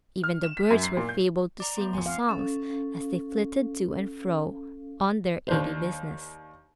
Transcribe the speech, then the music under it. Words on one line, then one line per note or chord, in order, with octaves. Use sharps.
Even the birds were fabled to sing his songs, as they flitted to and fro on their airy business.
F6
E7
B6
F#2
C7
A#2
G6
D5 A#5 D6
A3 B3 C6
G#1 F2 F#5 G#5 C6
C4 F5
C#4 A4 F5
D#2 D4 C5